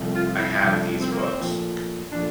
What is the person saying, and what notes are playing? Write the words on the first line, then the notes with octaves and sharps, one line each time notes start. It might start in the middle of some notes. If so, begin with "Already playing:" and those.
I have these books.
Already playing: C2 C3 F3 A3
F4
E4
C2 C3 F3 A3 D4
C4
A#3
C4
A#2 F3 A3
A#2 F3 A3 D4